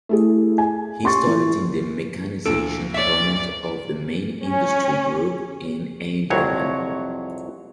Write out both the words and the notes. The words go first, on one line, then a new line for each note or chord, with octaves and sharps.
He started in the mechanization department of the Main Industry Group in Eindhoven.
A3 E4 G#4
G#5
C#4 G4 C6 C#6 A6
E3
D2 A#2 A4 D7
C#5 D5 E5
C#4
C2 F2 F#3 C#5